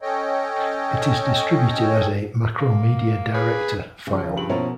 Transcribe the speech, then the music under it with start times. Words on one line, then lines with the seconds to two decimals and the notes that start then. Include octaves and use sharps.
It is distributed as a Macromedia Director file.
0.01 C#4 A4 C#5 D#5 G5
2.59 A#3
3.34 G#4 B4
4.07 C#3 F3
4.37 G2 F#7
4.49 B2 F3 C#4 E4 A#4